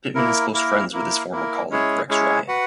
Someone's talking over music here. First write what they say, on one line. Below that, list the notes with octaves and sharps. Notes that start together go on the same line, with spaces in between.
Pittman is close friends with his former colleague Rex Ryan.
A#3 E4 A#4
A#3 E4 A#4
A#3 E4 A#4
A#3 E4 A#4
G#3 C#4 E4 G#4 C#5
G#3 C#4 E4 G#4 C#5
F#4 B4 F#5